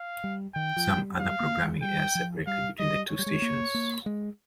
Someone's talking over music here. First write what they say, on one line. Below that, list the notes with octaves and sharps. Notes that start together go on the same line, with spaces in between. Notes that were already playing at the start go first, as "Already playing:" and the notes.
Some other programming airs separately between the two stations.
Already playing: F5
G3
D#3 G5
F3
G3
G3 F5
A#3
G#3
G3 G5
F3
G3 F5
G3 D#5
G#3 C#5
G3
G#3
A#3
A#3
G#3